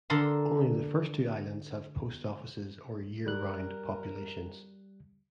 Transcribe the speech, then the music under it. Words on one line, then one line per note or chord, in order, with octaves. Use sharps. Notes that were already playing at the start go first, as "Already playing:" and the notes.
Only the first two islands have post offices or year-round populations.
D3 A4 A#4 C6
G3 A#4 F#6